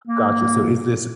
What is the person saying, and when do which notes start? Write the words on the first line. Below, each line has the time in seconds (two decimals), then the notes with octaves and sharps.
Gotcha. So is this
0.07 A#3